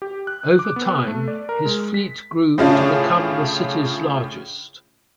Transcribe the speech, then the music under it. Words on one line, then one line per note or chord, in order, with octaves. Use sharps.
Over time, his fleet grew to become the city's largest.
G4
F#6
D6
B3
A3
D5
A#4
G#3
B6
A2 C#3 C#4 D4 F4 G#4